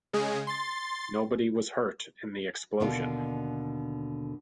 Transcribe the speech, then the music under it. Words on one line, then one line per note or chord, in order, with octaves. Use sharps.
Nobody was hurt in the explosion.
C#3 G#3 G#4
C6 A6
D#2 B2 D3 F4 D5